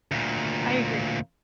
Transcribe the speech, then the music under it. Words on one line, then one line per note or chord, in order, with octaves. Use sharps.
I agree.
D2 A#2